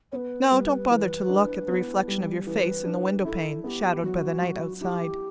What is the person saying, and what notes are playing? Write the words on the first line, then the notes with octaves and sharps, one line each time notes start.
No, don't bother to look at the reflection of your face in the window-pane shadowed by the night outside.
B3 B4 C#5
G3 B4
E3
D4
B3
G3
E3 B4
D4
E4 A4
B3 G4 A4
F#3 F#4
F#3
E4 G4